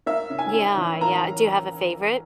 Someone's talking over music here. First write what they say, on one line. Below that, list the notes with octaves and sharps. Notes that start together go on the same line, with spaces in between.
Yeah, yeah, do you have a favorite?
A#3 E5
C#3
G#5
C#4
E3
A#3 A#5